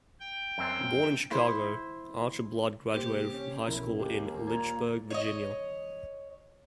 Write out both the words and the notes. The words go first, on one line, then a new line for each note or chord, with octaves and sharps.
Born in Chicago, Archer Blood graduated from high school in Lynchburg, Virginia.
G5
F#2 C4
E4 C5
C3 A#3 G4 C5
C#4
B1 F3 C#4 E4 A#4
D#2 G#3 A#3 G4
A#2 A#5 G#6
C#5 D#5